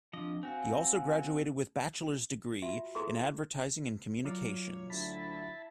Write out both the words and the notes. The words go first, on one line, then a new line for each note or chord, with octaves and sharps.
He also graduated with Bachelor's degree in Advertising and Communications.
F3 C4 D4 D#5
C4 F#4 F5 G#5
F4 F#4 E5
E4 G#4 A4 C6
F#3 F4 C#5 D5
D2 E4 A5 B5